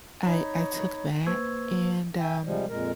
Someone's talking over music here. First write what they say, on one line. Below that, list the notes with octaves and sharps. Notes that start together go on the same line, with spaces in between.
I I took that, and, um,
D#4 C#5 B5
A#3 B4 C5 C#6 E6 G#6
E5 G5 G#5
C3 F3 G3 G#3
F2 A#2 G#3 A#4